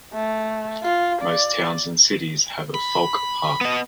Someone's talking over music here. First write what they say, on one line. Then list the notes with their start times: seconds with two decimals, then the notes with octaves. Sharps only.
Most towns and cities have a folkpark.
0.14 A3
0.83 F4
1.22 D5
2.74 B5
3.61 B3 D#5